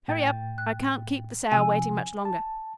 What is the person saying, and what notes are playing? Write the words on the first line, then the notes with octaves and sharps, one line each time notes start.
Hurry up, I can't keep the sow waiting much longer.
A2 G5 A6
F#6
C3 F3 G#5 E6
A5